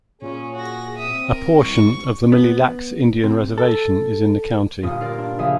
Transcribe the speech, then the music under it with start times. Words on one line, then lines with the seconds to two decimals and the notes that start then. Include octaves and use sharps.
A portion of the Mille Lacs Indian Reservation is in the county.
0.22 A#2 C#4 G#4
0.55 F#4 A#6
0.97 C4 E5 D#6
1.28 A#4
1.63 C2 C#6
2.32 B3
3.24 C3
3.58 A4
4.83 G1 A#2 D#6
5.01 F4 A#4 D5
5.18 D4
5.39 A#1 C#3 E5 F5 D#6